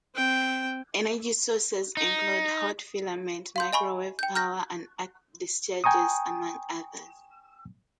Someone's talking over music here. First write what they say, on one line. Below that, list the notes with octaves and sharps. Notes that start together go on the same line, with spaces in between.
Energy sources include hot filament, microwave power, and arc discharges, among others.
C4 G5
D#4
F5 C6 G6
D#5 G#5 B5 C#6
G5 G6
F6 G6 A#6
G5 G#5 A#5 C#6 D#6